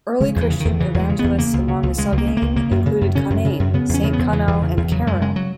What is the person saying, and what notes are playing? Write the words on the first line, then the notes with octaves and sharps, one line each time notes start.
Early Christian evangelists among the Soghain included Conainne, Saint Connell and Kerrill.
C#3 G#3
E2 E3
C#3
E2 D#3
C#3 E3
E2 G#3
C#3
E2 B3
C#3 A#3
C#2
C#3
C#2
C#3 G#3
C#2
A#3
C#3
C#2 A#3
C#3 A#3
F#2
C#3
F#2
C#3 C#4
F#2
C#3
F#2
C#3 B3
E2
C#4
C#3
B3
E2
C#3 E3
E2
C#3
E2
C#3 F#3
F#2 G#3
C#3 G#3
F#3